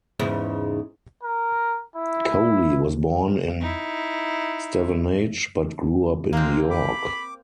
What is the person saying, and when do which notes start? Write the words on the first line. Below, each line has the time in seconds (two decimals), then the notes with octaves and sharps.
Coley was born in Stevenage but grew up in York.
0.19 E2 G#2 C#3
1.23 A#4
1.96 E4
3.61 D#4 E4
6.33 G#3 A#3 C4 F5
6.71 B5 D6